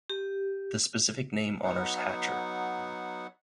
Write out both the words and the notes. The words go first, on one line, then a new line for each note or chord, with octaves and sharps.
The specific name honors Hatcher.
G4
F#3 B3 D#4 F#5